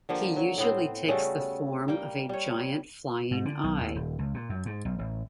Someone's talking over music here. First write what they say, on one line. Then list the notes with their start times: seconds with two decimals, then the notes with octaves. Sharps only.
He usually takes the form of a giant flying eye.
0.09 D3 F3 A#3 G4
0.36 F#3
0.58 A2 B3 C4
1.08 C#3 G3 A3 F#4
1.88 G3 A#3 G5
2.29 G3 C#5
3.31 G#2
3.45 D3
3.64 B1
3.80 D#2
3.95 D#1
4.19 C#2
4.34 A#2
4.49 F#2
4.66 G#2
4.85 B1
4.99 A1